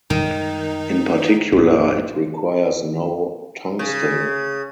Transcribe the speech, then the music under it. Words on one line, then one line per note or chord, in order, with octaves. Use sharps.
In particular it requires no tungsten.
F#2 D#3 G3 G#3 D#4
A#1 F#2
C#3